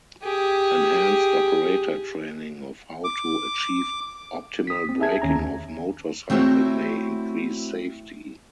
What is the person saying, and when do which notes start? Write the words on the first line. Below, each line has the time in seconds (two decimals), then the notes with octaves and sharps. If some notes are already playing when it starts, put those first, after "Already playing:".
Enhanced operator training of how to achieve optimal breaking of motorcycle may increase safety.
0.23 G4 G#4
3.04 D6
4.67 D#6 B6
4.89 C4
5.00 G#4 E5 A5 G#6
5.22 D#2 C#4 A#5
6.30 A3 C4 E4 F#4 C5 C#5